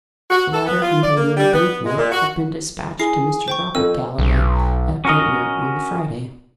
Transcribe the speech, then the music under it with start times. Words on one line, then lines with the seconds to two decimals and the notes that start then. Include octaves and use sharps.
The letter containing the bank-note had been despatched to Mr. Robert Galloway, at Ventnor, on the Friday.
0.30 F#4
0.53 A4
0.66 B3
0.82 F4
1.03 D5
1.16 A#3
1.37 G3
1.53 B3
1.86 G#3
1.98 A#2
2.12 F#4
2.99 E4 G#4 C7
3.48 C5 G5 C#6
3.75 F2 C4 A4 E6
4.18 B1
5.05 C#4 F#4 A#4 D#5